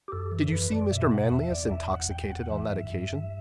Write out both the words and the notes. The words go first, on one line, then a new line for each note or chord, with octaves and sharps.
"Did you see Mr. Manlius intoxicated on that occasion?"
G4
F#2 A4
E3
A4
F#2 B4
F#2 D5
B2 E5
B2 F#5
E2 E5
E2 D5
E2 E5
E2 F#5
E2 G5
E2 F#5
E3 E5
G2
G2
G2